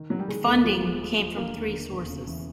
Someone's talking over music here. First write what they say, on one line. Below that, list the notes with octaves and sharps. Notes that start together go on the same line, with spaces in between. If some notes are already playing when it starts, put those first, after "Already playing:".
Funding came from three sources.
Already playing: D#3
D#3 F#3
G3
D#3 G#3
D#2 A3
F3
G#3
G#3
F3
D3 A#3
D#2
D3
E1
C#3
E3